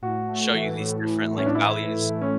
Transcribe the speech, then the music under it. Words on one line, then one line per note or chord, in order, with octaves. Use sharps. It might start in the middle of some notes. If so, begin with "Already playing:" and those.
show you these different, like, values.
A2 F#4
A3
E3
A2
A2
A3
C#4
D4
E3 E4
A2
A2
C#4